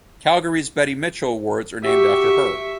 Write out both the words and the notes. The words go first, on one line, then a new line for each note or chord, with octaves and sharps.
Calgary's "Betty Mitchell" awards are named after her.
F#4 G4 E5 C#6